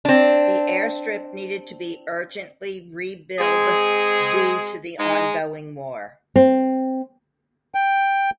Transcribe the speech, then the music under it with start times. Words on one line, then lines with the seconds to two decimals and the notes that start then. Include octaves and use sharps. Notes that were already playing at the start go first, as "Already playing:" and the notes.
The airstrip needed to be urgently rebuild due to the ongoing war.
0.05 C4 D4
3.39 G#3 C4 G#4
4.99 G#3 D#4
6.36 C4
7.75 G5